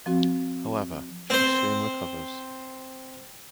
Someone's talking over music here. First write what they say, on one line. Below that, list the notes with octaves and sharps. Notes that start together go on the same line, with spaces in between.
However, she soon recovers.
F3 C4 F#4
C4 C5